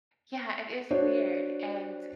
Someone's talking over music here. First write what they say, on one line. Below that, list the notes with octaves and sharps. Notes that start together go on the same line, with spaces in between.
Yeah, it is weird. And
D4 F#4 C5 C#5